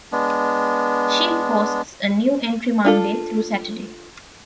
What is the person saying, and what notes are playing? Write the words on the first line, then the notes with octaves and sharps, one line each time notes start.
She posts a new entry Monday through Saturday.
G#3 B3 D4
D4 F4 A4